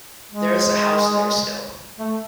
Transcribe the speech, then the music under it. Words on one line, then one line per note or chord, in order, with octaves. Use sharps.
There is a house there still.
G#3
A3